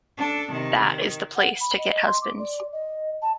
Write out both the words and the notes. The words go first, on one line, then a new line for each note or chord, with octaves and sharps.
That is the place to get husbands.
D4 A4
C3 D#3
D#3
F#5
B5
D#5
C6
D6
D5
D#5
A5